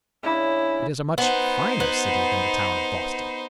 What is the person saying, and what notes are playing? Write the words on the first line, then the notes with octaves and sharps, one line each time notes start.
It is a much finer city than the town of Boston.
C#3 D4 E4
B3 D#4 C5
B3